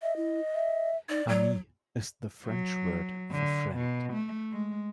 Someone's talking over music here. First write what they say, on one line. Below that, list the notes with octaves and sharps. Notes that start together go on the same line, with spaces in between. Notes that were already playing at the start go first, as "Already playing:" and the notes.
Ami is the French word for friend.
D#5 E5
E4
E5
D#4 D5
F#3 D5
F#3
D3
B2
A3
G#3